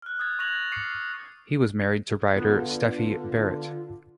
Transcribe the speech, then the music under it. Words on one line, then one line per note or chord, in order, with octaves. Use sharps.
He was married to writer Steffi Barrett.
F6 F#6
D#6 F#6 G#6 A6
C#6 F#6 G#6 A#6 F7 F#7
A6
C#6 D6 F6 C7 C#7
D3 B3 F4